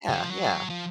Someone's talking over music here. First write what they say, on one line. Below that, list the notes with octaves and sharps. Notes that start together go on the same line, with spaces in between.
Yeah, yeah.
D3
F3
F#3
F3